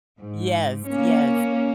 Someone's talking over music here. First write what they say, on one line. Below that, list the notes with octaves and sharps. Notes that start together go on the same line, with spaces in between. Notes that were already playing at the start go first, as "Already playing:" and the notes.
Yes. Yes.
G#2
A#3 C#4